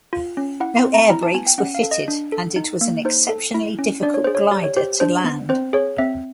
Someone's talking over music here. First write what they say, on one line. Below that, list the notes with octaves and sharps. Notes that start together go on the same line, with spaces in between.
No air brakes were fitted and it was an exceptionally difficult glider to land.
F4
C#4
E4 F#5
C6
C4
A#5
E4 A#5
A5
B3 G#5
G5
C#4 F#5
F5
A4
D#5
D4
A4
D#4
A#3
D#4 C5
A4
E4
C#4
D4 D5
C#5
G#4 C5
C#5
G4 D5
C#5
G4 C5
D4 C5
B3
C4 C5
G#4 C#5
C4 E5